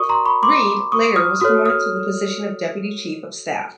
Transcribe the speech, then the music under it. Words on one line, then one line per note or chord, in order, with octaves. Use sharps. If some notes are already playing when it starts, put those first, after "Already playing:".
Reid later was promoted to the position of Deputy Chief of Staff.
Already playing: F#4 A#4 D5 C#6 D#6
A#5 C6
B5 C#6
C6 D6
C#6 D#6
D#6 F6
F#4 A4 C#5 D#6 F6
D#6 F6